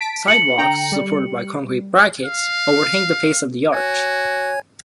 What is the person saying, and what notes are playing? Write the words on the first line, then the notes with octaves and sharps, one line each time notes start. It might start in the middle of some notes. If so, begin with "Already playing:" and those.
Sidewalks, supported by concrete brackets, overhang the face of the arch.
A5 B6 D7
C#7 F#7
D3 G5 A#5
G3
F5
F#4 C#5 G#5 G#6